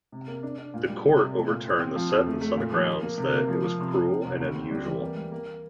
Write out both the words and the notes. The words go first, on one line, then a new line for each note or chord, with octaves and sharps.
The Court overturned the sentence on the grounds that it was "cruel and unusual".
C3
A#3
D4
D4
A#2
G3
C3
C3
A3
A#2
C4
C4
F3
F2
A3
A3
A#2
F3
A#3
A#3
C3
A#3
F3
F3
C3
C3
C3
C2
D2
C4
G3
E3
A#3
G3
A#3